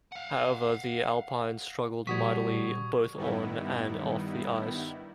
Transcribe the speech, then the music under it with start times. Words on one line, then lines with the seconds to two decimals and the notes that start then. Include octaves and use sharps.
However, the Alpines struggled mightily both on and off the ice.
0.12 F5 F#5
2.07 A#2 F3 G3 F#4 C#6 D#6 G#6 B6
3.16 G2 D#3 G3 B3 D#4 E4